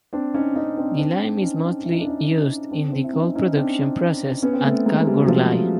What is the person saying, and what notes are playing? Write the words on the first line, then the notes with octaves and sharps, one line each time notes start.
The lime is mostly used in the gold production process at Kalgoorlie.
C4 D4
C#4 D#4
C#4 D#4
C4 D4
C4 D4
C#4 D#4
E4
D#4
D4
C#4 D#4
C4 D4
C4 D4
E4
C#4 D#4
C#4 D#4
C4 D4
B3 C#4
C4
A3 B3
G#3 A#3
G3 A3
F#3
F3 G3